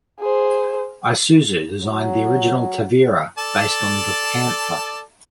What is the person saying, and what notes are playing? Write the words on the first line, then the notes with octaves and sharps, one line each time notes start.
Isuzu designed the original Tavera, based on the "Panther".
G#4 C5
F#3
A4 D5 A5